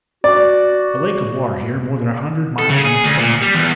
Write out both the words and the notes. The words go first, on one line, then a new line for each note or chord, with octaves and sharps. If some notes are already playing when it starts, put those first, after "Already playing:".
A lake of water here, more than a hundred miles in extent.
F#4 D5
A4
C#3
G#4
D2
A#2
G3
E2